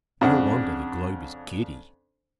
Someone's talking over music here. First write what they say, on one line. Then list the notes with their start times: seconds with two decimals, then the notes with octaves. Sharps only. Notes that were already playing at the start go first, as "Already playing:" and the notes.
No wonder the globe is giddy!
0.21 F2 C#3 D4 F#5